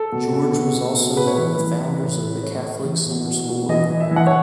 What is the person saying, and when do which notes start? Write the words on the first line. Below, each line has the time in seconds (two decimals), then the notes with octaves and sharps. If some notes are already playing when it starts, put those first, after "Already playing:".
George was also one of the founders of the Catholic Summer School of America.
Already playing: A4
0.12 B2
0.33 B2
0.55 B2
0.75 B2
0.96 B2
1.17 A2 B4
1.27 C#5
1.37 E3 B4
1.59 E3
1.80 E3
2.01 A2
2.22 A2
2.43 A2 C#5
2.64 A2
2.85 E3
3.06 B2
3.26 B2
3.48 B2
3.69 E3 D#5
3.90 E3
4.00 E5
4.11 E3
4.16 F#5
4.27 C#5